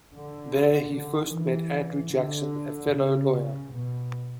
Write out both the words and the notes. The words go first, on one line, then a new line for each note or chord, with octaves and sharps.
There, he first met Andrew Jackson, a fellow lawyer.
D3
D3
E3
D3
C#3
B2